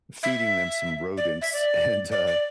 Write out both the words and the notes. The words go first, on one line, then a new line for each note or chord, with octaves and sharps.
feeding them some rodents, and, uh
E5
D5
E5
D5
D5
D5